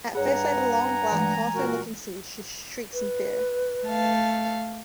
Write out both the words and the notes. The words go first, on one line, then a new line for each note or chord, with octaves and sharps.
At first sight of the long, black Hawthorne-looking seed, she shrieks in fear.
G2 G#4 C#5 F#5 G#5 A#5
E3 G#3 A3
A#2 F#4 A#4
B4
A3 F5 A5